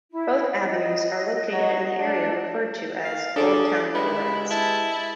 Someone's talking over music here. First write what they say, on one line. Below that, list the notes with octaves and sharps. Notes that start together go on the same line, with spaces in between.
Both avenues are located in the area referred to as Old Town Torrance.
E4
D#5
F#3
D4
F5
C#4 D4 G#4 A4 D5
G#3 E4 G4 B4 B5
E4 A5